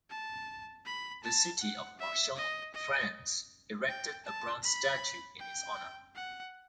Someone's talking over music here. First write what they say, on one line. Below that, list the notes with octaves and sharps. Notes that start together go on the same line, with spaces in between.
The city of Marciac, France, erected a bronze statue in his honor.
A5
B5
A5
F#5
E5
D#5
D#5
G5
A5
B5
G5
F#5